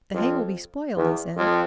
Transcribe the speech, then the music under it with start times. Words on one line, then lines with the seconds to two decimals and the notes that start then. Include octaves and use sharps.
"The hay will be spoiled," he said.
0.14 F2
0.96 E2
1.36 F2